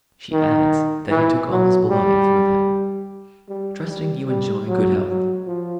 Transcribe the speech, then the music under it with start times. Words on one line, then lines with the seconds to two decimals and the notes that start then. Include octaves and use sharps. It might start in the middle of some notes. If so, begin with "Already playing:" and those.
She adds that he took all his belongings with him.--Trusting you enjoy good health.
0.32 D#3
1.11 E3
1.51 F#3
1.90 G3
3.49 G3
3.89 G3
4.28 G3
4.68 F#3
5.08 F#3
5.47 F3